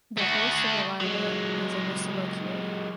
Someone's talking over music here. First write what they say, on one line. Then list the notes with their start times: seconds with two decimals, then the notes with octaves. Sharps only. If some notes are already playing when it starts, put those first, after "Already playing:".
The host of the larva is Aristolochiae.
0.17 A3 F#4
1.01 F#3 G#3